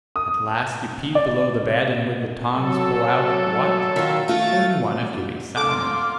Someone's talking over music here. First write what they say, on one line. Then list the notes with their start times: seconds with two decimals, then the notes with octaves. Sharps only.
At last you peep below the bed, and with the tongs pull out--what?--only one of Gibbey's salmon.
0.16 D#6
1.15 D5
2.53 F#3 A4
3.96 D#3 F4
4.28 A3 F4 F#4 A6
5.56 A#3 F4 A4 C6 D6